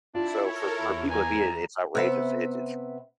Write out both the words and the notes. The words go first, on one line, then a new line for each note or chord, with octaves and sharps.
So for for people to be in it, it's outrageous. It's it's
D4 E4 F4
A4 A#4 C#5
E2 E4
G#5 A#5
C3 B3 E5